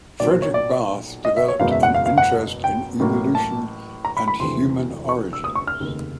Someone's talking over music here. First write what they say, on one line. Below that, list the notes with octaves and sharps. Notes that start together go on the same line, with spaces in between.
Fredrik Barth developed an interest in evolution and human origins.
B1 A#2 F#3 A#3 D5
C5
C#5
D5
D#5
E5
C#5
F#1 E2 B2 G#3 B3 F5
E5
F#5
F5
F5
F#5
G5
A1 A2 F#3 A#3
A5
A#5
B5
B5
E1 D2 C3 E3 C6
C#6
E6
D#6
C#6
F6
F1 D#2 C#3